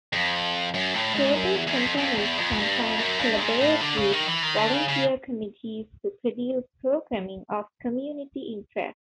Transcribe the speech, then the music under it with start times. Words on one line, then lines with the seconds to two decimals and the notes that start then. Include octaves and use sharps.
Cable companies sometimes collaborate with volunteer committees to produce programming of community interest.
0.13 F2
0.74 F#2
0.95 A2
1.15 G#2
1.35 F#2
1.55 E2
1.67 E2
1.76 F2
1.97 F2
2.17 E2
2.37 F2
2.58 G2
2.79 F2
2.99 F#2
3.19 G2
3.40 G#2
3.61 A2
3.81 D3
3.97 C#3
4.12 D#3
4.27 E3
4.43 D#3
4.58 D3
4.74 C#3
4.88 C#3